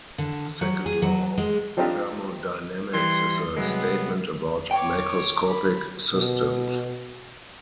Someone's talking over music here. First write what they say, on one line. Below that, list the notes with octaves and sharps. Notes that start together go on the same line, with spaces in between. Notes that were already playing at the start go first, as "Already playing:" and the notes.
The second law of thermodynamics is a statement about macroscopic systems.
D3
F#3
G#4
F#3
G#3
F3 C4 D4 D#4 F4 G4
E3 G3 C6
C2 F#3 G#3 B3
C#5 G5 D6
B5
B2